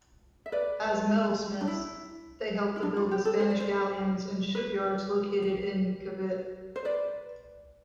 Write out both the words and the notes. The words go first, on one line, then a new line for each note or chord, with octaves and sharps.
As metalsmiths, they helped to build the Spanish galleons in shipyards located in Cavite.
E5
B4 D5
D4
E4
E4
D4
F4
G4
A4
C5
D5
C5
B4
C5
B4 D5